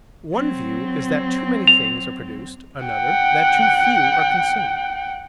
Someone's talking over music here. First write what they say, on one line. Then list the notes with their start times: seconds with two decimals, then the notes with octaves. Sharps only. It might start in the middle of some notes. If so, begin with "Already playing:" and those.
One view is that too many things are produced, another that too few are consumed.
0.33 F#3 C4
1.67 F7
2.84 F#5 G5